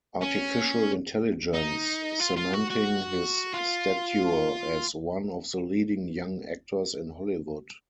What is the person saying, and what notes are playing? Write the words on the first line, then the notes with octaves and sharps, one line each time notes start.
Artificial Intelligence, cementing his stature as one of the leading young actors in Hollywood.
C#4
D#4
F4
F4
F#4
F#4
F4